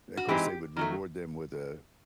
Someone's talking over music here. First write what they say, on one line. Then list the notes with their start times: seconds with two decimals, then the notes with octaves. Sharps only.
of course, they would reward them with a
0.17 F#4
0.29 E3 G#3 C4 D#4 G4
0.77 D#3 F#3 A3